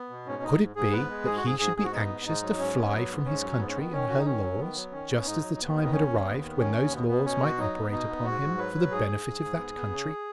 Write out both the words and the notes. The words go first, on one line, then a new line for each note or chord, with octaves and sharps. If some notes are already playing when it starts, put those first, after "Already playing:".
Could it be that he should be anxious to fly from his country and her laws, just as the time had arrived when those laws might operate upon him for the benefit of that country?
Already playing: B3
B2
G#2 C#4
G#2 D#4
G#2
G#2 G#4
B3 B4
G#3
G#2 G#4
F#4
G#2 G#4
G#2 G#4
G#2 G#4
F#4
B3 D#4
G#2
G#2 D#4
F#3
G#2 C#4
B3
F#3 B3
G#2
G#2 C#4
F#3
G#2 B3
C#4
D#3 B3
D#3 C#4
D#3 F#4
D#4
D#3 C#4
F#3
D#3 B3
F#3
D#3 C#4
B3
G#2 D#4
F#3
D#2 B3
D#3
D#4
D#2 C#4
D#2
D#2 B3
D#3
D#2 C#4
D#2
B2 B3
B2 B3
B2 C#4
B2 F#4
F#3 D#4
B3
B2 D#4
B3
G#2 F#4
G#2
F#3 B4
F#3
G#2 G#4
G#2
G#2
G#2
B3
B3
C#3